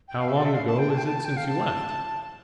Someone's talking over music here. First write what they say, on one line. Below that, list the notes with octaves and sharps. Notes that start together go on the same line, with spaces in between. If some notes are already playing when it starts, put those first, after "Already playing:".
'How long ago is it since you left?'
G5
F5
E5
D5
E5
F5
A5
G5
A5
G5
A5
G5
F5
A5